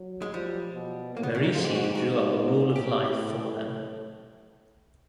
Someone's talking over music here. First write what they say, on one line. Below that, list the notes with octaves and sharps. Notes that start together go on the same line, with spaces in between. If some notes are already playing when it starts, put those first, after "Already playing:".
Merici drew up a Rule of Life for them.
Already playing: F#3
G#3
F3 G3
B2
A2 A#3
B3
C#4
D#4
G#2 F4
G4
F#4
G4
G#2 F#4
A2 G4